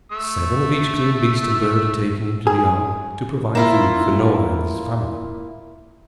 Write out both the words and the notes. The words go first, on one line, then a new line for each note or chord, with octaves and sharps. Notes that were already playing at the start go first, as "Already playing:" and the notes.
Seven of each clean beast and bird are taken into the ark to provide food for Noah and his family.
A3 E6
G#4
A#3 E4 F4